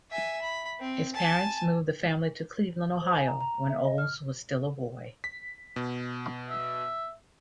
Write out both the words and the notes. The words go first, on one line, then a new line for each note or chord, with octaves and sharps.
His parents moved the family to Cleveland, Ohio, when Olds was still a boy.
E5 G#5
B5
C4
G#5 A5
C5
G#5
A#5
A#5
A#5
E5
D#5
F6
B6
B2
E5